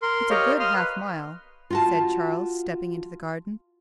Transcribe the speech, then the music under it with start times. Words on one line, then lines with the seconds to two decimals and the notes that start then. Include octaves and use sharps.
"It's a good half-mile," said Charles, stepping into the garden.
0.02 A#4 C6
0.30 G4 A#4 C#5 D#5 F5
0.60 F5 C6 D#6 F6
0.74 B4
1.70 F4 F#4 A5